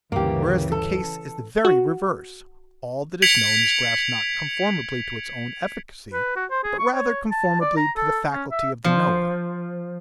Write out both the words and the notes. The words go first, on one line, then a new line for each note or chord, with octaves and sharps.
Whereas the case is the very reverse: all that is known is grasped not conformably to its own efficacy, but rather conformably to the faculty of the knower.
D2 G2 C#3 E3 A#3 G4
A4
F#4
G#6 B6 C#7 D7 F7 F#7
B4
F#4
C5
G#4
C#6
C#5
A5
D5
A#5
A4
C#4
E5
F3